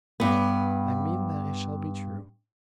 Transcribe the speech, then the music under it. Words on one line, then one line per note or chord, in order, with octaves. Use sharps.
I mean that it shall be true.
G2 B3